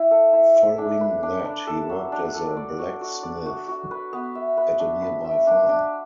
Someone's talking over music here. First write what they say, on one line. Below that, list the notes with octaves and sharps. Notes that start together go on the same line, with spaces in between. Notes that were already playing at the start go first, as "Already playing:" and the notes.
Following that, he worked as a blacksmith at a nearby farm.
Already playing: E4
A4
E4
E5
D4
B4
D4
D4
A4
F#3
D4
A4
D5
F#4
F#4
D5
F#4
F#4
B4
B3
E5
B4
D4
B4
E5
D4
D4